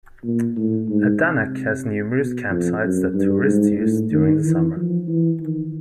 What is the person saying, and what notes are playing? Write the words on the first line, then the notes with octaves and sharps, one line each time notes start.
Adanac has numerous camp sites that tourists use during the summer.
A#2
A2
G#2
C3
B2
F2
F#2
G2
G#2
A2
D#3
E3
F3
E3
D#3